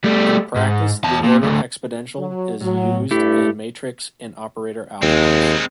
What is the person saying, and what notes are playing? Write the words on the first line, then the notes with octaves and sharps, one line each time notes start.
In practice the ordered exponential is used in matrix and operator algebras.
G3 A3
G#2
E2 A5
A#2
D2 A2
F#3
A2 F#3
G2 A3 E4 G4
D#2 G#3 C4